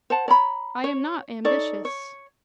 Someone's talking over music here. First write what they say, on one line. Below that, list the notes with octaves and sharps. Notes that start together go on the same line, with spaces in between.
"I am not ambitious."
C5 F#5 A5
C#5 A#5 B5
C#5
D#4 A4 C#5 D5
C#5